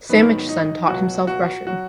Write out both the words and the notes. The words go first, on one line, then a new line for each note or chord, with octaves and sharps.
Samachson taught himself Russian.
G#2 D#3 F#3 B3
D#4
C#2 B2 F#3 F#4
F#4
F#3 F#4